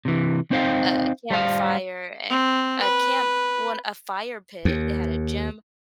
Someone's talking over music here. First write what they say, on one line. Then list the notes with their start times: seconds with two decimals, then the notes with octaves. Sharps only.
a campfire and a camp well, a fire pit. They had a gym,
0.05 C3 E3
0.51 C4 D#4 C5 E5 F5 G5
1.31 G3 C5 F5
2.29 C4
2.81 B4
4.65 D#2